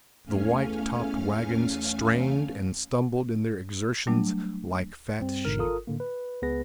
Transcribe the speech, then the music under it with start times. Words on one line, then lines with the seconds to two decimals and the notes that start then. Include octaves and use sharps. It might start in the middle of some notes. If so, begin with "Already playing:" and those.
The white-topped wagons strained and stumbled in their exertions like fat sheep.
0.24 E2 A3 C#4 F5 G#5 F6
4.07 F#3 G3 A3 D4
5.19 G2 G3 C4
5.45 G#1 G#2 B2 D3 A#4 F6
5.59 G1 F4 A4 A#4 D#6
5.87 A2 D3 A#3
6.00 B4
6.42 C#2 B3 G#4 B4 A#6